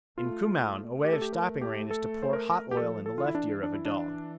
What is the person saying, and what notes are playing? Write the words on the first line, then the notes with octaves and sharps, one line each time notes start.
In Kumaon a way of stopping rain is to pour hot oil in the left ear of a dog.
A3 F4
A3 G4
A4
G4
A#4
G4
A4
C5
A#4
G4
F3 A4
A4
E3 F4
E4
D4
D4
E4
D4